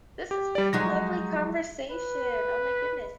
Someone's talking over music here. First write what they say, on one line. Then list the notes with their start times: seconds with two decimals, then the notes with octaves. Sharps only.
This has been a lovely conversation. Oh my goodness.
0.31 G4
0.55 G3 D5
0.73 F3 F#3 G#3 D#4 A#6
1.90 B4